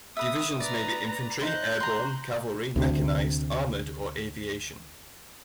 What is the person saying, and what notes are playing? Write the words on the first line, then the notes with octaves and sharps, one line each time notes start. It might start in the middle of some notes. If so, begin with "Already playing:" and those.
Divisions may be infantry, airborne, cavalry, mechanized, armoured or aviation.
B4 E5 D#6
B4 D5 A#5
D#4 E4 C5 F#6 G6
A#5 C6
D2 C3